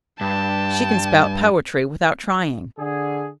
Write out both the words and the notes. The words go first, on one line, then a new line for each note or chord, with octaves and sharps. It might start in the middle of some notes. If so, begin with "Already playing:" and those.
"She can spout poetry without trying."
G2 G5 A5
D3 G#4